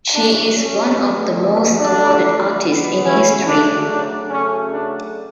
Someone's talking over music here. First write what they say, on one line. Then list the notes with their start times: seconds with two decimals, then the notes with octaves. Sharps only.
She is one of the most awarded artist in history.
0.13 C#3 F#3 A3 D4
0.55 C#4
0.97 B2 A3
1.79 D3 F#3 A3 D4
2.63 B2 G#3 B3
3.03 C#4 E4
3.45 C#3 F#3 A3 D4
3.88 D4
4.28 C#3 F#3 A3 C#4
4.70 D4